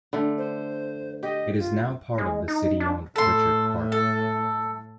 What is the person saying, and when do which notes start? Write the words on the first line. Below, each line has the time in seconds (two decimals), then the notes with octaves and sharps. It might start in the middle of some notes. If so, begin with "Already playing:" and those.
It is now part of the city-owned Pritchard Park.
0.13 D3 A3
0.38 C5
1.23 G4 D#5
1.58 F4
2.18 G#3
2.48 D#4
2.80 D4
3.16 A2 A4 C6
3.92 A4